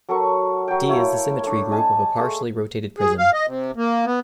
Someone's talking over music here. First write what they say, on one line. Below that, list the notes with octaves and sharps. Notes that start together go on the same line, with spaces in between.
"D" is the symmetry group of a partially rotated prism.
F#3 A4 A#4 C#6
F#3 G5
E4 C#5 F5
A3 D4
D#5 G#5 A5
A3 G#4 C6 E6
G#4
F5
D#5
C3
A#3
B3